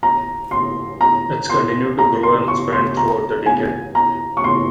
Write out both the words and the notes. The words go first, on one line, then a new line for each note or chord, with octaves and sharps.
It continued to grow and expand throughout the decade.
A#5
C6
A#5
C6
A#5
C6
C#6
C6
A#5
G#5
A#5
C#6
C6